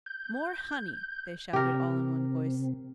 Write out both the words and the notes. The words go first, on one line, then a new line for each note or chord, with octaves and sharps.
"More honey!" they shouted, all in one voice.
G6
C3 C4 G4 A#4